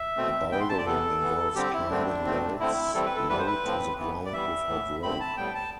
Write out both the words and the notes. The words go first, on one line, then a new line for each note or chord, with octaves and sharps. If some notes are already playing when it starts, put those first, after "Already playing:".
Bouldering involves climbing routes low to the ground without rope.
Already playing: E5
B2 A3 C4
E3 B3 G5
C6
A5
D5
C3 E3 B3 A4
E3 B3
D3 G3 C4 G4
E4
D3 A3 C4 D4
B2 A3 C4
D3 A3 C4 E4
E3 G3 C4 A4
B4
A4
E3 G3 B3 B4
C5
B4
A2 F3 C4
E3 B3
D5
E3 G3 B3 E5
A2 E3 B3
D3 A3 C4 B5
A5
A2 G3 B3 G5
A5